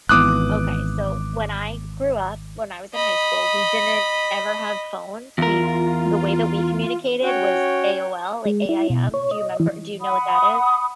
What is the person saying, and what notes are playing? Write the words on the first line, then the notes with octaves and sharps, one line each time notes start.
Okay, so, when I grew up, when I was in high school, we didn't ever have phones. We the way that we communicated was AOL like AIM. Do you 'member do you know what that is?
G#1 E3 B3 D6 D#6 F#6
D#5 B5
E2 F4 A#4
C#4 F#4 C#5 G5
G#3
E4
B2
C#5
D#5
E3
F#5 B5 D#6